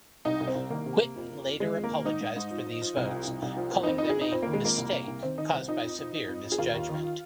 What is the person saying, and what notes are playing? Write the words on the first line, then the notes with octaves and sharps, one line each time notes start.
Whitten later apologized for these votes, calling them a "mistake" caused by severe misjudgment.
C2 D#4
C2
C4
C2
D#3 A#3
C3
C3
F2
F2
F2
D#3 G#3
F2
A#3
D#3
G#2 D#4
G#2
G#2
F3
F3
F3
C2
F3
C2
C2
F3
A#2
D#4
F2 C4
F2 D#4
G#4
F2 D#4
F2 C4
D#3 A#3
G#3
F2 A#3
C2
C2
C2
D#3 C4
D#3 D#4
C2 C4
F3 D#4
F2
F3
F3
F2
F2
G#4
D#2 F4
D#2
D#3